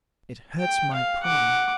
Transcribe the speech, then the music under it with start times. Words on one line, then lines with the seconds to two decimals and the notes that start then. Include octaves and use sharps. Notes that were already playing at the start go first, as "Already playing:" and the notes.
It hurts my pride.
0.60 G5
0.93 F5
1.23 F#5 D6